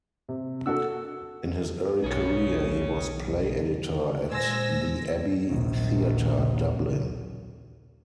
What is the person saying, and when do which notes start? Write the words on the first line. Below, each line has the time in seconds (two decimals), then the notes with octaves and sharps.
In his early career he was play editor at the Abbey Theatre, Dublin.
0.29 C3
0.66 D4 F#4 A4 F#5 E6
2.04 B1 G#4 C#5
4.32 A#2 G#3 C5 G#5 E6 A#6
5.50 A#1 D#2